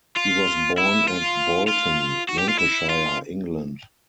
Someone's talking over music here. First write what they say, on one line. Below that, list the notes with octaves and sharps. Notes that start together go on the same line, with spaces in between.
He was born at Bolton, Lancashire, England.
F4
E4
F4
F4
F#4
G4
F4
E4
F4